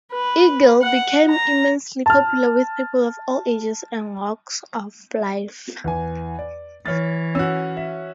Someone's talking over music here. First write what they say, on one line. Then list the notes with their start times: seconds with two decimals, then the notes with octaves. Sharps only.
"Eagle" became immensely popular with people of all ages and walks of life.
0.13 B4
0.82 F#5
1.29 A#5
2.06 A5 F6
5.84 E2 E3 G#5
6.39 D5
6.86 E3 C#5 F6 A6
7.35 C#4 F#4 E6
7.77 E5